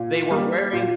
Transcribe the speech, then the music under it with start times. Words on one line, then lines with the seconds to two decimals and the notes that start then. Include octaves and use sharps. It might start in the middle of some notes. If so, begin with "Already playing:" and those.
They were wearing
Already playing: A#2
0.31 G3 A#3
0.73 A#2